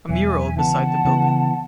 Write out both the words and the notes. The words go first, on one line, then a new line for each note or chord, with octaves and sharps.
A mural beside the building.
E2 B2 F#3 E5 G#5
C#3 E3 B3 F#5 A5
C#3 E3 B3